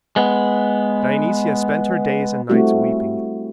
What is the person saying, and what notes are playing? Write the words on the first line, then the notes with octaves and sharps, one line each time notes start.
Dionysia spent her days and nights weeping.
G#3 B3
G3 A3 C4 E4 F#4 G4